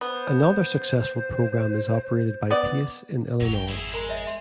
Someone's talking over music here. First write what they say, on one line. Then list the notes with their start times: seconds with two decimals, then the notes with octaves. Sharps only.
Another successful program is operated by Pace in Illinois.
0.01 B3 C5
2.51 B3 D5
3.41 G#1 F2 F#3
3.54 G5
3.69 E4 G#4
3.94 G#3 A#4 A#5 B5
4.09 C#5 D#5 E5
4.26 E5 C6